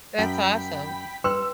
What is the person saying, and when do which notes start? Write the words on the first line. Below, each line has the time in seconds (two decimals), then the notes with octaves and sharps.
That's awesome.
0.19 F#2 G5 B5 B6
1.24 G3 B4 G5 C6 E6